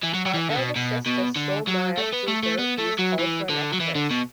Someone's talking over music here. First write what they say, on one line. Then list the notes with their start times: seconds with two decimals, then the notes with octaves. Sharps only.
Her elder sister Soe Myat Thuzar is also an actress.
0.04 E3
0.14 F#3
0.26 F#3
0.34 E3
0.50 D3
0.55 B2
0.76 B2
1.06 B2
1.36 D3
1.67 F#3
1.97 A3
2.13 B3
2.28 A3
2.43 A3
2.59 B3
2.79 A3
2.99 F#3
3.19 E3
3.49 D3
3.73 F#3
3.80 E3
3.95 D3
4.11 B2